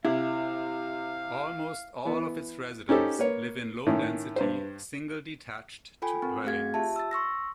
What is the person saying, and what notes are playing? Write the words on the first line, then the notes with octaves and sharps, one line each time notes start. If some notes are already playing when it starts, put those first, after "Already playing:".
Almost all of its residents live in low-density, single detached dwellings.
C3 E4 F5
E3 B3
C#4 D#4 G4 A4 C5
A#3 B4 C#5
A2 D#3 C#4
G2 B4 C5
F4 A4 G5 G#5 B5
C4 A#4
A3 C4 F#4 G#4 F5 G#6
F4 G4 E5 A5
E6 A6
C6 C#6 E6 A#6